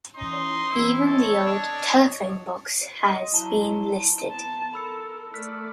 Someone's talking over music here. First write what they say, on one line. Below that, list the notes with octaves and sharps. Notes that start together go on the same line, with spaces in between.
Even the old telephone box has been "listed".
E3 C#4 D#4 C6
E3 B3 C4 E4
A4 C#5 D#5
D4
D#5 C6
F#3 E4 A5 A#5 G7
B3 A5
A4 A#4 B5 E6 C#7
A3 D5 F6 F#6 B6